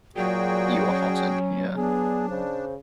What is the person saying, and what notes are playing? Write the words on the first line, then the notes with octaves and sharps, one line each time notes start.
You are hot in here!
A#2 F#3 F#4 G#4 D5 G5
C#4
B3 D4 G#4
C#3 C5